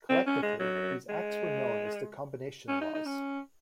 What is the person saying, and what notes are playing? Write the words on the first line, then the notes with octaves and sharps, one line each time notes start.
Collectively these acts were known as the Combination Laws.
C4
C#4
G#3
F#3
G#3
C#4
D#4
D#4
C#4